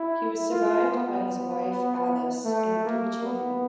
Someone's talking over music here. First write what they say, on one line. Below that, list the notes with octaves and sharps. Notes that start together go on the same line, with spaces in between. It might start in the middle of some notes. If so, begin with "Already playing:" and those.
He was survived by his wife Alice and three children.
Already playing: E4
F4
B3
A3
A#3
B3